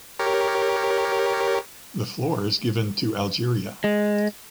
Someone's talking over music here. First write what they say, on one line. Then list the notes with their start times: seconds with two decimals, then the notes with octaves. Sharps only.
The floor is given to Algeria.
0.19 G4 A#4 C#5
3.84 G#3